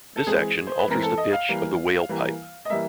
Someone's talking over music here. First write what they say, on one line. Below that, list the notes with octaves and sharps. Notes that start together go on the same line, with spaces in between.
This action alters the pitch of the 'wail pipe'.
A4
E3 G#3 C4 G#4
C5
B4
E3 G#3 C4 A#4
A4
D#5
F5
E3 G3 A#3
E3 G3 A#3
D#5
E3 G3 A#3 E5